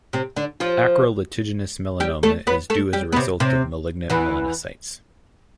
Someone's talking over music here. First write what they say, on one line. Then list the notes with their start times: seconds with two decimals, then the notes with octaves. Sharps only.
Acral lentiginous melanoma is due as a result of malignant melanocytes.
0.13 C3 C4
0.36 D3 D4
0.60 F3 F4
2.00 G3 G4
2.23 A3 A4
2.47 B3 B4
2.70 A3 A4
2.93 G3 G4
3.12 B3
3.16 C3 C4
3.40 C3 C4
4.10 E2 E3